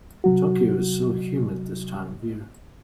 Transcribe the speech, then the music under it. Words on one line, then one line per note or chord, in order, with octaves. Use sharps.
Tokyo is so humid this time of year.
C3 F#3 F#4